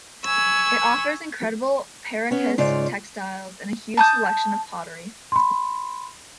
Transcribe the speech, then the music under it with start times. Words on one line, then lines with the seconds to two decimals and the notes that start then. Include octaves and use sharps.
It offers incredible Paracas textiles and a huge selection of pottery.
0.25 G#5 B5 C#6 E6
2.31 B3 C#4
2.58 G#2 C#3 F4 D5
3.97 A5 D#6 G6
5.32 B5 C6